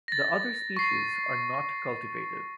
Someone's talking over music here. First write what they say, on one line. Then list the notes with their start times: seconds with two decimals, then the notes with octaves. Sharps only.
The other species are not cultivated.
0.08 A6 A#6
0.77 C#6 C7